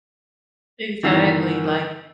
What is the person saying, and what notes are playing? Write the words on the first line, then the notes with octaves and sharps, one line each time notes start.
Exactly, like
G1 D#3 E3 F#5 E6 C7